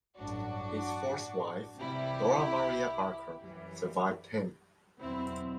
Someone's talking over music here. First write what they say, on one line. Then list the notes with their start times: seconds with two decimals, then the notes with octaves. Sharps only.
His fourth wife, Dora Maria Barker, survived him.
0.17 A1 G2 F#3 D4 F#4
1.78 C2 C3 E3 G3 E4 G4
3.39 F#2 E3 G3
5.00 E2 B2 F#3 C4 E4